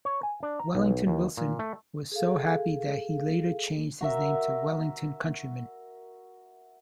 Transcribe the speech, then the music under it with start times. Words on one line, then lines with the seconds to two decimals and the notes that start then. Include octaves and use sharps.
Wellington Wilson was so happy that he later changed his name to Wellington Countryman.
0.05 C#5
0.23 G#5
0.43 D4
0.59 A#5
0.75 B1
1.07 D#2
1.37 A#2
1.59 A3
2.12 G#4 A4 F5
4.01 F#4 A#4 E5